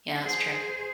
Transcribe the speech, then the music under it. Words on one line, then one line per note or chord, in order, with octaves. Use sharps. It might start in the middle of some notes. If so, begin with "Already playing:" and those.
Yeah, that's true.
G#4 C5